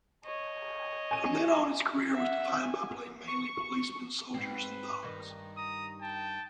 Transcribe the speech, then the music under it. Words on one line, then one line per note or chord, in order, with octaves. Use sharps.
From then on his career was defined by playing mainly policemen, soldiers, and thugs.
C#5 D#5
G#5 D#7
E5 F#5
G#5
C#6
G#2 C4 B4
G2 D#3
A#5 D#6
G5 A5